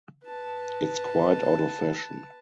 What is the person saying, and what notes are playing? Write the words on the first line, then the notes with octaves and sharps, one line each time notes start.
It's quite out of fashion.
B4 A5